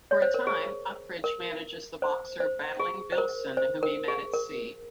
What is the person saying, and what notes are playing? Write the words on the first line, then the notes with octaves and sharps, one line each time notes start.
For a time Ukridge manages the boxer "Battling" Billson, whom he met at sea.
C#5
C5
A#4
G#4
A#4
C5
C5
G#4
C5
A#4
C5
A#4
G#4
A#4